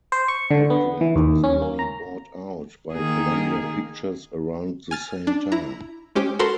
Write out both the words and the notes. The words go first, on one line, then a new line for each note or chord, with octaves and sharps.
Outlet was nearly bought out by Columbia Pictures around the same time.
C5
C#6
D3
B3
E3
D#2
C#4
A#3
A#5
D#3 A#3 G#4
G#5 F6 A6
D4
E4 A#5
G#3 C#4 G4 C5
F#4 A4 A#4 C5 B5 C6